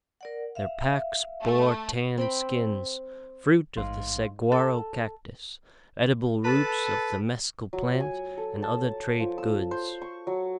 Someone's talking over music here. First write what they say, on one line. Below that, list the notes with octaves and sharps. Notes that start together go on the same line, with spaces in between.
Their packs bore tanned skins, fruit of the saguaro cactus, edible roots of the mescal plant, and other trade goods.
A#4 D5 F#5
E5 F5
A3
C4 G5 B5
A1 G#2 F5 C6
A4
A4 B4 A5
F#3
G#5
A4
A5
F3
E6
C5
C#6
F#3